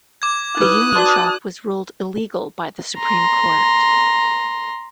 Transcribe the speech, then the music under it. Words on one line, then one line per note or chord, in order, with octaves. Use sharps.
The union shop was ruled illegal by the Supreme Court.
D6 G#6
D#4 E4 B4 D#6 F#6
F#4 D5 A5 C6
A#5 C6